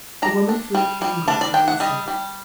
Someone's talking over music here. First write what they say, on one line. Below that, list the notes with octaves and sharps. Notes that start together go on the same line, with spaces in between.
The woman flew angry in an instant.
D4 A#5
D4
G3
G3
D4 A5
D5
D4 G5
F#5
G3 D#5
G3